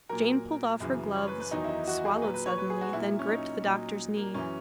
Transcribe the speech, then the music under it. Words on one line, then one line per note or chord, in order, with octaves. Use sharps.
Jane pulled off her gloves, swallowed suddenly, then gripped the doctor's knee.
A#2 F#3 A#4
F#2 C#3 E3
C#5
B4
B4
E2 D#3 F#3 D#4
E4
D#4
F#4
G#4
A#2 F#3 B4
B4
C#5
B4
G#4
F#4
A#2 F#3 E4
C#4
D#4
A#2 F#3
A#3
F#2 E3 C#4